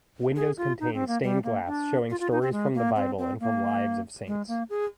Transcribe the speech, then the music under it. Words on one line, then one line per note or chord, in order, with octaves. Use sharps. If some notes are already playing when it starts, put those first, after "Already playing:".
Windows contain stained glass, showing stories from the Bible and from lives of saints.
G#4
F4
D#4
C4
A#3
G3
A#3
D4
F4
F4
D#4
C4
G#3
A#3
C4
C4
A#3
G#3
A#3
G#4